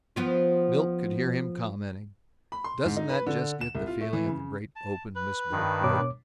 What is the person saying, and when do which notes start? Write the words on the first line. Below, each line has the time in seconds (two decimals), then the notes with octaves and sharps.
Milt could hear him commenting, "Doesn't that just get the feeling of the great open, Miss Boltwood?"
0.16 F3 B3 F4
2.52 B5
2.64 C6
2.85 G#2
2.97 D#4
3.09 B4
3.27 D3
3.61 E7
3.75 C2
3.87 F4
4.01 A3
4.13 E3
4.27 C#3
4.76 A5
5.16 B4
5.52 G2 D#3
5.84 B2 C#5 D6